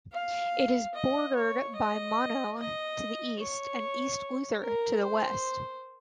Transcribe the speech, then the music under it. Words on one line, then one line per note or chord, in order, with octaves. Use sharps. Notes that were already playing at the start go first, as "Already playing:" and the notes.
It is bordered by Mono to the east and East Luther to the west.
F5
D#5
C#5
D#5
D#5
C#5
A#4
C5